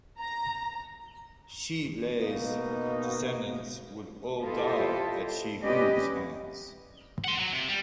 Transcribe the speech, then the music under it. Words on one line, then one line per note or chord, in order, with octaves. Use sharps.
Shi Le's descendants would all die at Shi Hu's hands.
A#5
B2 A#3 D#4
E4 F4 G4 A4 C5 D#5
C#4 G4 B4 D5 D#5
F#5 C6
F#3
C3
G3